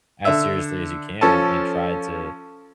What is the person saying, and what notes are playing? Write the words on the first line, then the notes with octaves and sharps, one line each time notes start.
as seriously as you can and and try to
D3 E5
F3 C#4 A4 A5